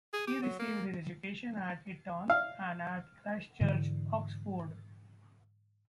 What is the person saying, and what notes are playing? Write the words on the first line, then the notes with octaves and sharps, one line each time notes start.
He received his education at Eton and at Christ Church, Oxford.
G#4
G4
F#3
A#3
F5
G#2 D3 E3